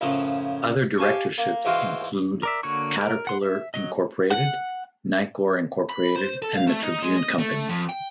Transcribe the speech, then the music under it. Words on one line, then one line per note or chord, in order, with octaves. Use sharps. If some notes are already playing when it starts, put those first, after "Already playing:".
Other directorships include Caterpillar Incorporated Nicor Incorporated and the Tribune Company.
F#2 A2 C#3 F3
G4 F5 G#5 A5 C#6
A#3
G#2 E3 F4 F#4 F5 G5
A#4 D5 E5
D3 A#3 F#4 C#5 C#6
A#4
F#5 C6
E5
F#3 D#5
F#5
B5
C5
A4
F5
A3
D#4
G#3
D#5
A3
F2
G5